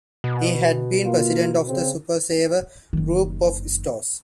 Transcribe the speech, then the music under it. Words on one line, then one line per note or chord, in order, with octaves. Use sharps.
He had been President of the Super Saver group of stores.
B2
A#3 F4
C#3 C4
F#1 D#3